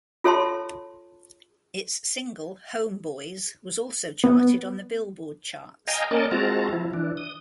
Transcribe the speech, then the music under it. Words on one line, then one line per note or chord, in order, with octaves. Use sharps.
Its single "Homeboyz" was also charted on the "Billboard" charts.
F4 A4 C#5 E5 A5 C6
B3
D#5 F5 G5 G#5 A#5
A#3 C#4 A#4 D5 D#5 A5
G#3 C4 F4 F#4 A5 A#5
F3 E4
E3 D4
D#6